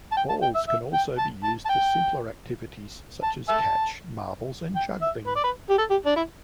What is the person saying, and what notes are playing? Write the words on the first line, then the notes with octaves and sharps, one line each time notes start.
Balls can also be used for simpler activities, such as catch, marbles and juggling.
A5
G5
A5
G5
E5
E5
G5
A5
A5
A5
G5
A5
E5 A5
G5
E5
B4
D5
B4
G4
A4
G4
D4
E4